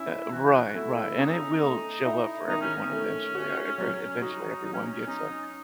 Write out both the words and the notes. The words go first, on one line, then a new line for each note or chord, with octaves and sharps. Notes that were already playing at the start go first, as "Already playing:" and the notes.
Uh, right, right, and it will show up for everyone eventually, ever eventually, everyone gets, uh,
Already playing: C#4 E4
E3 F#4
A3 E4
C#4 D#4
A3
E4
D#3 D#4
C#4
C#4
A3
F#4
F#3
C#4
D#4 F#4
F#3 D#4
C#4
C#4
C#4 D#4